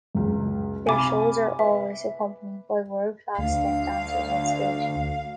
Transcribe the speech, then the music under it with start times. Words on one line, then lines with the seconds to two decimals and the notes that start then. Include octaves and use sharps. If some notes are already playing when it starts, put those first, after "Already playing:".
Their shows are always accompanied by world-class step dancers on stage.
0.15 C#2 F#2
0.87 C3 F5 G#5 B5 D6
1.59 B4 E5
3.38 D2 F5